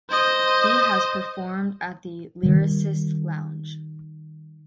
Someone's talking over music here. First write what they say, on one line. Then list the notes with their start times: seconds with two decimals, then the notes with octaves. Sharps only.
He has performed at the Lyricist Lounge.
0.10 C5 D#5
2.43 D#3 G3